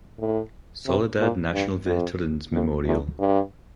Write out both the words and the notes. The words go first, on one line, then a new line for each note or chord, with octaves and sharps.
Soledad National Veterans Memorial.
A2
C3
A#2
G2
F2
F2
E2
G2